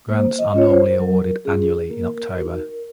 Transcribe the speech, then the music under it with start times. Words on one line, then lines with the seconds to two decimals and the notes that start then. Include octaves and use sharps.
Grants are normally awarded annually in October.
0.09 A#3 C5
0.39 D#5
0.54 C#4 F4 C#5
0.69 C5
0.99 F#3 A#4
1.45 C#4 F4 G#4
1.90 A#3 A#4
2.36 D#4 F#4